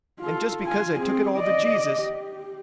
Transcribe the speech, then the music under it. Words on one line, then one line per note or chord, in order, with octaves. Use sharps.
And just because I took it all to Jesus.
F4 A4
F4 G#5
C4 G#4
D5 D#5
G4